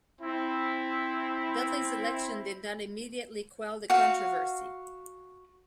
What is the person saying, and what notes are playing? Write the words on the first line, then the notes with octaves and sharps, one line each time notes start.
Dudley's election did not immediately quell the controversy.
C4 E4
F#4 F5